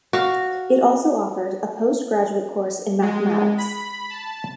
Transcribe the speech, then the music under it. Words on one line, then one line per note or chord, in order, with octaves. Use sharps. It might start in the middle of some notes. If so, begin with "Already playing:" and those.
It also offers a post-graduate course in Mathematics.
F#4 F5
G#3
B5
A5